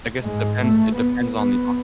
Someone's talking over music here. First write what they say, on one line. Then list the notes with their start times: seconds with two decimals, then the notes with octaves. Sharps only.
I guess it depends it depends on the, uh
0.23 G#2 G#3
0.60 A3
0.97 B3
1.35 B3